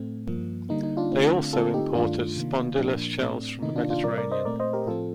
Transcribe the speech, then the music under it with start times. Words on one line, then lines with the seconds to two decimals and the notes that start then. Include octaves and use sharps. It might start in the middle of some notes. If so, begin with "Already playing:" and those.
They also imported spondylus shells from the Mediterranean.
Already playing: A2 A3 C4
0.27 G2 F3 A#3
0.69 D3 G3 A#3 D#4
0.83 D#4
0.97 D4 F4
1.11 D3 A3 C4
1.53 D3 A3 C4 F4 A4
1.74 D#4 G4
1.95 G2 D#3 A3 D4 F4
2.36 C3 D#3 A#3
2.78 A#2 F3 A#3 D4
3.20 A2 A3 C4
3.62 C3 D#3 A#3 D#4
3.76 D4 F4
3.90 D4 F4
4.04 C3 G3 C4 A#4 D5
4.18 A#4 D5
4.31 C5 D#5
4.45 A#2 A3 C4 A#4 D5
4.60 C5 D#5
4.73 G4 A#4
4.87 A2 F3 C4 F4 A4